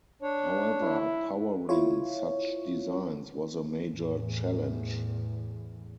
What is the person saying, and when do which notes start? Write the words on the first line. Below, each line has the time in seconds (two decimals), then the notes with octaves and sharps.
However, powering such designs was a major challenge.
0.22 D4 C#5
0.82 E4
1.69 E4 F4 C#5
3.89 E2 A2